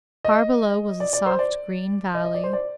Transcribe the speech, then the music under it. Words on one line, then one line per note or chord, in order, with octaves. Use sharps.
Far below was a soft, green valley.
D#5
D5
D5
C5
D5
D#5
D#5
D5
C5
D5